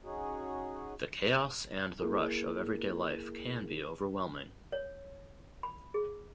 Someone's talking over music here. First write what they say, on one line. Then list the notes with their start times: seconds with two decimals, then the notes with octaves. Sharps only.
The chaos and the rush of everyday life can be overwhelming.
0.03 C#4 D#4 F#4 G#4
2.00 A#3 E4 G#4 A#4
4.72 C#5
5.63 B5
5.94 G#4